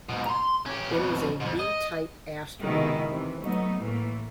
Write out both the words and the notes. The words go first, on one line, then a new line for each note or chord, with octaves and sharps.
It is a B-type asteroid.
G#2 B2
A#5 C6
C#4 G4
F2 B2
F2 G#2
D#5
B2 D#3 G#3 E4 G#4
C3 E3
F#3 A3 B3 D#4
A2 E3 A3 A#3